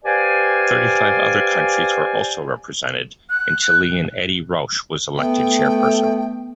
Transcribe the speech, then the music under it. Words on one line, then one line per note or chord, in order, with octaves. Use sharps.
Thirty-five other countries were also represented, and Chilean Edy Rauch was elected Chairperson.
G4 B4 C5 D5 F5 G#5
F#6
A3 B3 G5